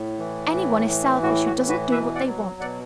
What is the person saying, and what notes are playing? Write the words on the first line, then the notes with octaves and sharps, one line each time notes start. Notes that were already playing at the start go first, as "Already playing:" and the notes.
Any one is selfish who doesn't do what they want.
Already playing: A2
E3
A2
E3
A2 F#4
F#4
E3
F#4 B4
B2 B4 E5
D5 F#5
F#3
B2 D5 F#5